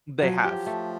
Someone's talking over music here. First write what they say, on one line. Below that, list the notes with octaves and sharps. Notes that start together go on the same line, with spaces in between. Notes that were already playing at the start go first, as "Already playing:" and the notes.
They have.
F3 F#3
G4
A3